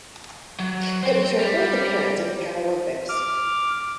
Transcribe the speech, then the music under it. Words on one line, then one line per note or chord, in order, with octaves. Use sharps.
It was her fourth appearance at the Paralympics.
F#3
C5 G5
G3
D6 F6